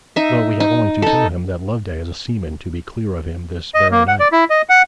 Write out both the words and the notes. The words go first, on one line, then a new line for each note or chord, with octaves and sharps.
'Well, we have only to tell him that Loveday is a seaman to be clear of him this very night.'
D#4 E5
D#4
D#4 A4
D#5
A#3
F#5
D5
E4
D#5
F#5